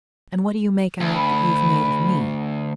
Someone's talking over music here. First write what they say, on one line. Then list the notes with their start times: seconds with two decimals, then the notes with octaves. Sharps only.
"And what do you make out that you've made of me?"
1.00 D2
1.16 B5